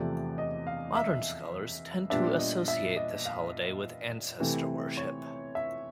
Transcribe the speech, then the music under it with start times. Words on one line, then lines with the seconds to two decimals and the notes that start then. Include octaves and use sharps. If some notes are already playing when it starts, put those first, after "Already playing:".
Modern scholars tend to associate this holiday with ancestor worship.
Already playing: E2 C3 F3 A3 D5
0.38 D#5
0.67 F5
0.96 E5
2.10 A#2 G3 B3 D4 E5
2.39 D#5
2.68 E5
2.96 D#5
3.25 F5
4.40 C3 E3 A3 C4 E4
4.97 C#5
5.55 E5